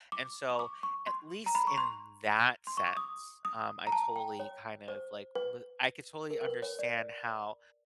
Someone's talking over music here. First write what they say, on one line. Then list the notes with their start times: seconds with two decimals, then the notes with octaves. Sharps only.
And so at least in that sense, um, I totally kind of, like, li I could totally understand how
0.12 D6
0.50 C#6
0.59 D6
0.83 C#6
1.07 C6
1.46 A#5
1.55 B5
1.67 C#6
1.78 C6
2.67 C6
2.77 C#6
2.87 D6
2.97 D#6
3.45 D#6
3.87 A#5
3.92 A5
4.16 G5
4.40 C#5
4.88 C5
5.35 B4
6.30 A#4
6.41 A#4
6.46 B4
6.62 C#5
6.79 D5